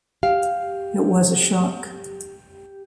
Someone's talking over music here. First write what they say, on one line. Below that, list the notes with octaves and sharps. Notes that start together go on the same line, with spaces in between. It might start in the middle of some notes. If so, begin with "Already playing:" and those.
It was a shock.
G4 F5